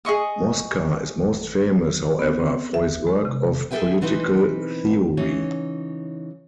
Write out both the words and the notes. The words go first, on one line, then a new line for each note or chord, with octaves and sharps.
Mosca is most famous, however, for his works of political theory.
G#4 D#5 C#6 D#6
B3
C4
E5
G#3
C3
G#4 A4 B4 E5 G5 G#5
B2 E3 C4 D#4 B4
C#3 E3 D#4 C#5